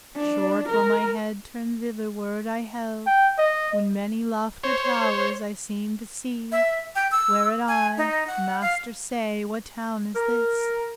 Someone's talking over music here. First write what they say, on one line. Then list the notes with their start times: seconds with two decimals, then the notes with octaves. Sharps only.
Short while my head turned thitherward I held When many lofty towers I seemed to see, Whereat I: "Master, say, what town is this?"
0.17 D4
0.70 A#4
3.06 G5
3.38 D#5
4.63 C5 C#5
6.52 E5
6.95 G5
7.11 E6
7.68 G#5
7.97 D#4
8.27 F#5
8.62 F5
10.16 A#4